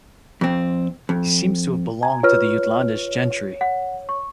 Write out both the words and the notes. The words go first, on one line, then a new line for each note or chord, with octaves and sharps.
He seems to have belonged to the Jutlandish gentry.
F2 C4
F2
G#5 A#5
F4 B4 C#5 F6
F#5
C#6